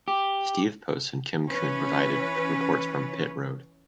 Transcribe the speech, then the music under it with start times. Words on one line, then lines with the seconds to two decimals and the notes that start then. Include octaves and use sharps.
Steve Post and Kim Coon provided reports from pit road.
0.08 G4
1.47 E3 C#4 B4